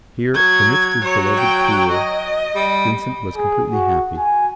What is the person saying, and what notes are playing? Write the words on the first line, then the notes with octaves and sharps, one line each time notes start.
Here, amidst his beloved poor, Vincent was completely happy.
F#3 G#6
F#3 C#5
G5
D#5
G3
G#4
F#4
G#5